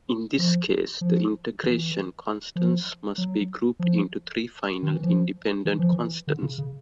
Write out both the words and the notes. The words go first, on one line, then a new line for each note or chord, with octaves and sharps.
In this case, the integration constants must be grouped into three final independent constants.
F3
F3
E3
F3
F#3
F3
D#3
E3
F3
E3
F3
E3
D3
C#3
C#3